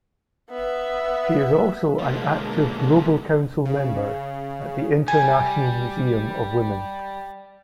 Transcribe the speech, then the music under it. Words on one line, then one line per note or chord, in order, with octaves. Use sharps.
She is also an active Global Council Member at the International Museum of Women.
B3 E5
B2 D3 F3 G#3 A#3
C#3
G3 G#5